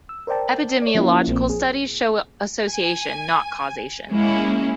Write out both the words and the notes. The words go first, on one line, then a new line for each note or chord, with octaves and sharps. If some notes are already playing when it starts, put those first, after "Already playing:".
Epidemiological studies show association not causation.
E6
A#4 C5 D5 G5 A5
C#5 D5
F3 A#3 C#4 E4 F4
A#1 A#3 C4
G#4
G#5
G#3 A#3 C#4 E4